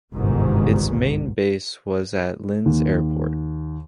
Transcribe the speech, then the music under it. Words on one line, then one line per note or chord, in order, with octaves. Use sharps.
Its main base was Linz Airport.
G1 C2 G#2 B2 D#3
D#2